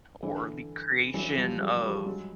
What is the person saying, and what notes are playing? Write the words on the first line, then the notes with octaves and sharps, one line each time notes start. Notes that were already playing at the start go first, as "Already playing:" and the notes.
or the creation of,
D3 E3
E3 F#3
F3 G3
F#3 G#3
F#3
F3 G3
F#3 G#3